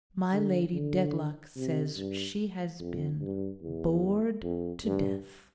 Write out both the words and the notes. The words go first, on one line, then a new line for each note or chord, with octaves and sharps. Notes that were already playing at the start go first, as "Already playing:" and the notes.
My Lady Dedlock says she has been "bored to death."
D3
D3
C3
G2
F2
G2
E2
F2
G2